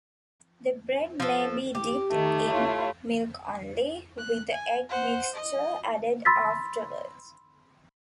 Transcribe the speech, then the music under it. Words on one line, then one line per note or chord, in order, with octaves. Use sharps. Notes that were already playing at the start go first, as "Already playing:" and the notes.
The bread may be dipped in milk only, with the egg mixture added afterwards.
F3 A4
G4
D#3 A3
E4 F4 C#5
F#6
G#5
C5 F#5
D#5
B5 C6 E6 A6 B6